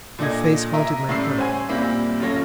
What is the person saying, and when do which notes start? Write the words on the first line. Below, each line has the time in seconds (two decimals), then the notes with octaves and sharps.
Your face haunted my heart.
0.19 A#2 D4 A4 D#5 G#6
0.73 A#4 D#5 E5
1.09 A2 C#3 G3 E6 C7
1.38 C5 C#5 F#5 G#5
1.69 A#2 G3 A#3 C4 E4
2.20 A1 F#2 F4 A4 C#5 A#6